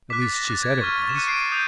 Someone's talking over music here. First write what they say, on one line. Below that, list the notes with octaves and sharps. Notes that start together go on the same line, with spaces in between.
At least she said it was.
D6 F#6 B6
A6
A#6
D6 F#6 A6
G#6
C#6 F6 A6
A6
E7
C#6 F#6 C#7 D#7
C7 D7
A6
D#6 G6